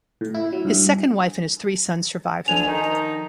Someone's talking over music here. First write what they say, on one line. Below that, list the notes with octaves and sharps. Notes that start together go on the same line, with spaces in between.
His second wife and his three sons survive him.
A2
E4
F#3
G2
D2 D4 G#5 F7
D#3 F3 D#4